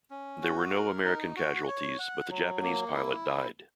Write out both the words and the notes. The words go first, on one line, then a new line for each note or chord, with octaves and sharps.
There were no American casualties, but the Japanese pilot died.
C#4
F#4
A#4
D#4
F#4
C#5
F#5
F#3
A#3
E4